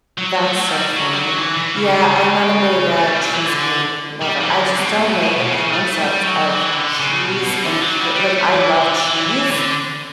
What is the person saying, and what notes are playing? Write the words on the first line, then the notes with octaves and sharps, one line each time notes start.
That's so funny. Yeah. I'm not a big, uh, cheesecake lover. I just don't like the concept of cheese and ca like, I love cheese
F#3
A3
F#3
G3
F#3
G3
F#3
E3
E3
C#3
D3
C#3
A3
G3
F#3
E3
D3
G3
E3
D3
B2
A2
B2
B2
C#3
A3
G3
F#3
E3
D3
C#3
B2
B2
D3
F#3
G3
G3
A3
E3
D3
E3
E3
D3